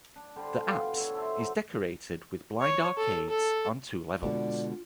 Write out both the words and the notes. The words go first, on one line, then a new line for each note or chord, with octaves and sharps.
The apse is decorated with blind arcades on two levels.
D4
D3 G3 G4 C5
B2 G3 F4 F5
D3 A4 C#5
G4 A4 C5 E5
F#3
C#5
A4
A4
B2 D3 G#3 F4 D5